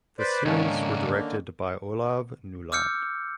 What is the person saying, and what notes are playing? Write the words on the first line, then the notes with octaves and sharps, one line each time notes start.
The series were directed by Olav Neuland.
B4 C5 D5
C#2 G#2 D3 D#3 A#3 C#4 A5
D6 E6 F6 G6 C#7